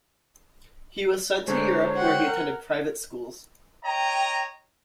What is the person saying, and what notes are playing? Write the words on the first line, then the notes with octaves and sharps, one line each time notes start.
He was sent to Europe where he attended private schools.
D3 G#3 D4 C5 C#5 A#5
F#4 F#5 G5
A#4
C#5 D#5 G5 A#5